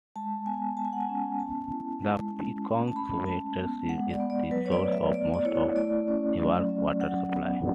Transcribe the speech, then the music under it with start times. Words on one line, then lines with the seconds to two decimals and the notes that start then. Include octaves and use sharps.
The Pequannock watershed is the source of most of Newark's water supply.
0.16 G#3 A5
0.46 B3 G#5
0.77 G#3 A5
0.85 G#5
0.93 F#5
1.01 G#5
1.09 C#4
1.39 B3 A5
1.71 E4
2.02 G#3
2.33 C#4
2.65 A3
2.88 A5
2.96 C#4 B5
3.26 G#3 A5
3.58 B3
3.88 G#3 F#5
4.10 D5
4.20 B3
4.30 D5
4.51 F#3 B4
4.66 C#5
4.72 D5
4.82 A3
4.92 E5
5.13 B3 D5
5.34 D5
5.45 E4 C#5
5.76 A3 D5
6.08 C#4
6.38 F#3
6.69 C#4
7.01 F#3 F#5
7.32 B3